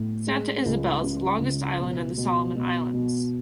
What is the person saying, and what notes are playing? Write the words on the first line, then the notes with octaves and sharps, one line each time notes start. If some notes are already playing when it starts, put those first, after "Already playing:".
Santa Isabel is the longest Island in the Solomon Islands.
Already playing: A2
G#3
C#2
C#3
C#2
B2
B2
B2
B2